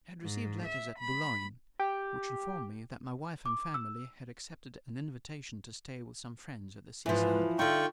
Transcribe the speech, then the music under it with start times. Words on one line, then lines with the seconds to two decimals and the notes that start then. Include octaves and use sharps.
I had received letters at Boulogne, which informed me that my wife and family had accepted an invitation to stay with some friends at the sea-side.
0.22 G#2
0.65 E5
0.98 B5
1.80 G4
3.46 D6
3.74 E6
7.06 G#2 E3 F3 B4
7.59 D3 D#4 F4 E5 G5 C#6